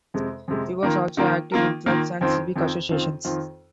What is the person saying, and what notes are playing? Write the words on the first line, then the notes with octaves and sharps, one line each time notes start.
He was also active in clubs and civic associations.
F2 C3 G#3
F2 C3 G#3
D#3 A#3 F4 A#4
D#3 A#3 F4 A#4
D#3 A#3 F4 A#4
D#3 A#3 F4 A#4
F2 D#3 C4 F4
F2 D#3 C4 F4
F2 D#3 C4 F4
F2 D#3 C4 F4